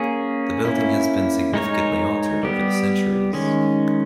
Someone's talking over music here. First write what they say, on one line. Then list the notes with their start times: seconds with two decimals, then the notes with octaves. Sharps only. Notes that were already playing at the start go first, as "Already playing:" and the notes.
The building has been significantly altered over the centuries.
Already playing: A#3 C#4 G#4
0.65 A#3 C#4 E4
1.54 G#3 D#4 A#4 C#5
2.43 G3 B3 G4
3.33 D#3 G#3 C#4